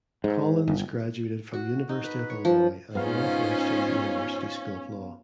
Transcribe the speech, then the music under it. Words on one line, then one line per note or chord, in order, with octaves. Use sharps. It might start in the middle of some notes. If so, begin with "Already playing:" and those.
Collins graduated from University of Illinois and Northwestern University School of Law.
G#2
G1
F#4
D#4
B4
C#5
F3
G#2 B3 C#4 D#4 F4 C5 F5